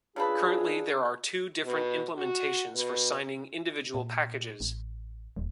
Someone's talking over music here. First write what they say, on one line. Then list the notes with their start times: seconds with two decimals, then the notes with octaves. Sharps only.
Currently there are two different implementations for signing individual packages.
0.16 C#3 D4 F4 G#4 A4 B4
1.64 B2
2.17 F#4
2.74 B2
3.94 A#2
4.60 A1
5.36 D#1